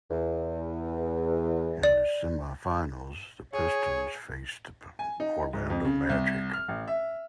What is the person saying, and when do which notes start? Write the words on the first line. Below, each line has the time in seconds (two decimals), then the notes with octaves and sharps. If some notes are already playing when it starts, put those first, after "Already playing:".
In the semifinals, the Pistons faced the Orlando Magic.
0.10 E2
1.83 D5
3.54 G#4 C#5
4.99 G#5
5.20 D#4
5.53 G#2
5.70 F2
5.85 C#3
6.09 C2
6.53 F6
6.68 A1
6.88 E5